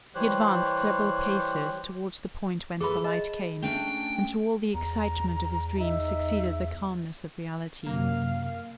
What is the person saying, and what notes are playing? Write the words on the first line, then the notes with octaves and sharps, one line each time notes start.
He advanced several paces towards the point whence the light came, and to all the excitement of his dream succeeded the calmness of reality.
E3 G3 G4 C5 C#5 F#6
G#4 A4 B4 E5 B5
D#5 A5
A3 C#4 D4 G5
E2 A#5
D#4 E5
F#2 C3 F#3 A#3 F5